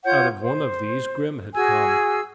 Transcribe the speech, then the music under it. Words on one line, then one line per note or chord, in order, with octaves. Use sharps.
Out of one of these Grim had come.
F4 C#5 F#5 G6
C5
F#4 G#4 G#5 E6